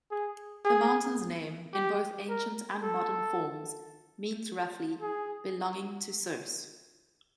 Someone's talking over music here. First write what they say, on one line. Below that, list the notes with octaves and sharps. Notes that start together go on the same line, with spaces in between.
The mountain's name, in both ancient and modern forms, means roughly, "belonging to Circe".
G#4
G#4
G4
A#4
A4
G#4